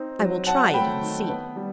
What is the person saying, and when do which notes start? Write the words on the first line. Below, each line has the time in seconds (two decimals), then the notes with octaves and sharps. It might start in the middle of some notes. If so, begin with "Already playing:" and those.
"I will try it and see."
Already playing: C4 D#4
0.19 F#3
0.46 C4 F#5 A5
0.74 A3 G5 B5
1.01 D#3
1.29 B3
1.56 G3